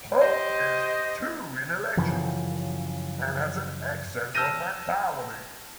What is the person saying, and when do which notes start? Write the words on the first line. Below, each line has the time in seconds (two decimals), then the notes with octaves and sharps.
Pope is too intellectual and has an excess of mentality.
0.22 G4 C5 D#5
1.97 F#2 C#3 E3 F3
4.35 A5 E6 F6 G6 A#6 D#7